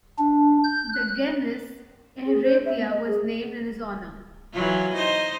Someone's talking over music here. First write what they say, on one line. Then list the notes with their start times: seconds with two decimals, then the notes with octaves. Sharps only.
The genus "Ehretia" was named in his honour.
0.19 D4
0.64 G6
0.93 F#6
2.26 G#4
2.43 C5
2.66 E5
2.79 B3
2.90 D#5
3.07 G#4
4.52 E3 F#3 F4
4.94 D#4 C5 D#5